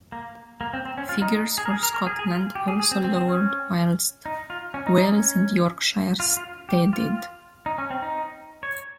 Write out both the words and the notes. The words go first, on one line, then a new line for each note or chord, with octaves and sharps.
Figures for Scotland also lowered whilst Wales and Yorkshire steadied.
A#3
A#3
C4
C4
C#4
F4
D#4
D#4
G#4
A#4
G#4
A#4
A#4
G#4
G#4
F4
G4
G#4
G#4
C4
C4
C4
C#4
D#4
F4
C#4
D#4
D#4
C#4
F4
F4
G4
F4
D#4
C#4
C4
D#4
C#5